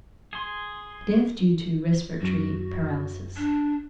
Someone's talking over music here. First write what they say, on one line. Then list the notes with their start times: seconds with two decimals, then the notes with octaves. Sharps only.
Death due to respiratory paralysis.
0.33 G#4 C6
2.21 F#2 F#4
3.37 D4